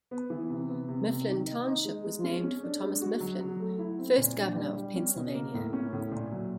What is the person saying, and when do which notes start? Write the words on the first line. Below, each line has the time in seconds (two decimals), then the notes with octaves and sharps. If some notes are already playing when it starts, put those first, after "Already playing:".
Mifflin Township was named for Thomas Mifflin, first governor of Pennsylvania.
0.11 B3
0.30 E3
0.50 C3
0.69 B3
0.88 C3
1.07 C3
1.27 D#3
1.46 D#4
1.66 D#4
1.85 G#3
2.04 G#3
2.24 C#4
2.44 C#4
2.63 D4
2.83 G#3
3.01 F#4
3.20 F#3
3.40 F#3
3.60 A3
3.79 E4
3.99 C4
4.17 A#2
4.38 D4
4.56 G3
4.76 G3
4.96 C#4
5.16 B2
5.34 A#3
5.54 A2
5.73 C#4
5.93 A2
6.11 A#2
6.31 F#3